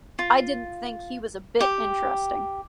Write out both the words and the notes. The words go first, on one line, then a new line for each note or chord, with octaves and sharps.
I didn’t think he was a bit interesting.
F4
G4